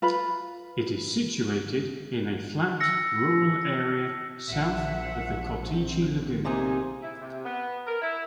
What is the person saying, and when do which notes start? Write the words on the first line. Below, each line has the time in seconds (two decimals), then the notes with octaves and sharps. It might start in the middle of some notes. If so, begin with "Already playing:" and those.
It is situated in a flat, rural area, south of the Kotychi lagoon.
0.02 F4 B4 A#5 B5
2.80 E6 A#6 C#7
4.48 A#1 E5 F#5
5.71 C4
6.45 C3 A#3 D#4 G#4 G#5
7.02 E4
7.20 C3
7.45 B3
7.86 A#4
8.01 E4